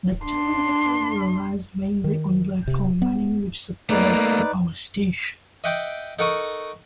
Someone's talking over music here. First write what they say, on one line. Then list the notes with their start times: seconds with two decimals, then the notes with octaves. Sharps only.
The town's economy relies mainly on black coal mining, which supports a power station.
0.24 D4 C6
2.04 D#3
2.67 C3
3.02 B3
3.90 A3 A#3 D#4 B4 D5
5.64 D#5 E5 F#5 G5 D6
6.19 D#4 A4 A#4 F#5 C#6 D#6